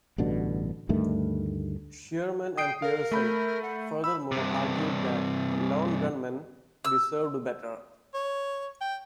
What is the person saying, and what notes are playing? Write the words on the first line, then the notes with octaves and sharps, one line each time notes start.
Shearman and Pearson, furthermore, argued that The Lone Gunmen deserved better.
A1 G2 B2 D3
D2 G2 D#3 A3
G5 D#6 C7 D7
A#4 F5
A3 B5 G6
F#5
B5 E6
G2 C3
E6
C#5
G5